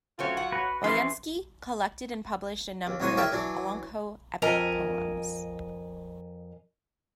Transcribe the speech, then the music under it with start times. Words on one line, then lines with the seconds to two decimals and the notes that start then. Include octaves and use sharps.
Oyunsky collected and published a number of Olonkho epic poems.
0.19 F#3 A3 C4 C#4 F4 C#5
0.37 F#5
0.52 F#4 B4
0.84 E3 F3 C#4 G4 C6
2.87 D#2
3.00 C2 A2 F#4 C#5 C6 D#6
3.17 G#4 A#4 D5 E5 G5
3.32 E3 F#3 D4
4.42 F2 A#4 D#5 G#5 A#5